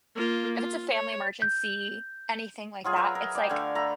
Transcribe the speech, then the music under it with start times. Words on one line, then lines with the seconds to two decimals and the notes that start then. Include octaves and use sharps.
If it's a family emergency, anything like that, it's, like
0.16 A#3 F4
0.58 F4
0.92 C#5
1.42 G6
2.84 F#3 F4 G#4 G#5
2.96 A#4 B4 E5
3.15 A#4
3.35 D5 G5
3.49 D3 A3 F5 G#5
3.75 A3 A#5 B5